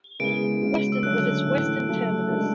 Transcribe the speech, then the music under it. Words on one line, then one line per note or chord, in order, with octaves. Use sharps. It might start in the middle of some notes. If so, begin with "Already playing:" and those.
Weston was its western terminus.
C#3 G#3 B3 E4 G#4 D7
C#3 G#3 C#4 F#4
E6
D3 F#3 A3 C#4 F#6
A2 E3 A3
C#3 F#3 A3
G#3 D4 F#4 A4